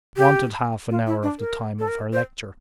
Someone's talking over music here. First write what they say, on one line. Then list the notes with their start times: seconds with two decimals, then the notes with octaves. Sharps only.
It wanted half an hour of the time of her lecture.
0.17 G4
0.91 F4
1.07 E4
1.23 D4
1.39 A#4
1.79 A4
1.88 A#4
2.13 C5